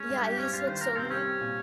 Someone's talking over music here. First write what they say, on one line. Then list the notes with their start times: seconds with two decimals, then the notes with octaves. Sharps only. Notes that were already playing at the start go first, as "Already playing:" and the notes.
Yeah, it has, like, so many
Already playing: G#3 C#4
0.09 G2
0.23 G3 G4
0.38 C4 C#4
0.53 G2 F4
0.68 D#3 C5
0.82 A#3 A#4
0.97 C3 C4
1.11 G3 C#4
1.26 C4
1.41 A#2